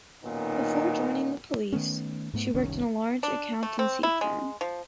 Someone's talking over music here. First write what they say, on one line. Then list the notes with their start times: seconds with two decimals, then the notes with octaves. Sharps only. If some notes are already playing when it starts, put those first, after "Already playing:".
Before joining the police, she worked in a large accountancy firm.
0.24 B1 A#2 D#3 B3 C#4 D#4
1.73 D#3 A3 B3 C#4
2.33 G#2 A3 B3
2.54 F#1 C2 D#3 C#4
3.23 D4
3.63 A3
3.79 C4
4.03 E4
4.21 G#3
4.61 F3